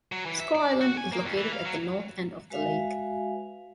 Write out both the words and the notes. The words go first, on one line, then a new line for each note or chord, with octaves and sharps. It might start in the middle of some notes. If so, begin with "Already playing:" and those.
Squaw Island is located at the north end of the lake.
F#3
E3
E5
D5
F#4
G#5
A#3
F2
E3
F5
F#3
G#3 F#4 B4 E5 F5 G#5